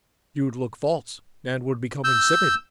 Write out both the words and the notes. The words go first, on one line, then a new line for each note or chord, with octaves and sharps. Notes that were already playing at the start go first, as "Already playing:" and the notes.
You'd look false and would become insipid.
E6 G6